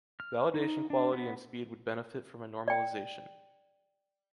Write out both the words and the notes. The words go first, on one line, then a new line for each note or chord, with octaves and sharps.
Validation quality and speed would benefit from a normalization.
F6
D#4
D4
B3
D5 G5